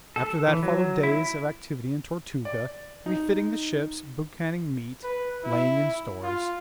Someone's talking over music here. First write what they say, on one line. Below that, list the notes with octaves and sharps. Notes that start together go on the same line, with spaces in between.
After that followed days of activity in Tortuga, refitting the ships, boucanning meat, laying in stores.
A4
E3
F#3
E4
D5
D#4
B4
E4
F4